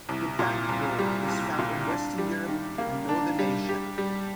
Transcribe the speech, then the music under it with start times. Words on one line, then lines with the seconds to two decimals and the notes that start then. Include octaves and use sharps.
The bank vole is found in western Europe and northern Asia.
0.09 C2
0.39 A#2
0.69 C2
0.98 G3
1.28 C2
1.59 A#2
1.88 D4
2.18 G3
2.48 D#3
2.78 A#3
3.09 D4
3.39 G3
3.69 G4
3.98 G3